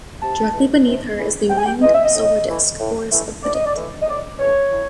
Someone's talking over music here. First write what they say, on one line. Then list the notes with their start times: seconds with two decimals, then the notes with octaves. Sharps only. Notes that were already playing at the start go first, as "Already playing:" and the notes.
Directly beneath her is the Winged Solar Disk, Horus of Behdet.
0.21 C3 A5
0.54 E3 G#3
0.86 C3
1.17 E3 G#3
1.50 C3 G5
1.58 G#5
1.66 G5
1.82 E3 G#3 D#5
1.94 E5
2.05 D#5
2.15 A2
2.47 E3 A3
2.79 A2
3.12 E3 A3
3.43 A2 D5
3.54 D#5
3.65 D5
3.75 E3 A3
4.02 D#5
4.07 A2 D5
4.40 E3 A3 C#5
4.72 A2